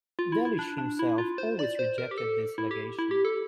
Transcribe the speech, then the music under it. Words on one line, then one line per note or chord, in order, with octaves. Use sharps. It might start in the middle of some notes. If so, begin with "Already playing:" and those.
Delitzsch himself always rejected this allegation.
F4
E4
E4
D4
D4
E4
F4
C5
D5
C5
A#4
G4
A4
E4
G4
E4
G4
A4